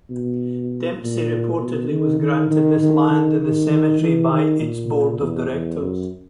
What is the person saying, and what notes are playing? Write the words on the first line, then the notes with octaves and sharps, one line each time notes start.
Dempsey reportedly was granted this land in the cemetery by its Board of Directors.
B2
A#2
B2
D#3
D#3
D#3
D#3
D#3
D#3
D#3
E3
D#3
A#2
E2
E2
F#2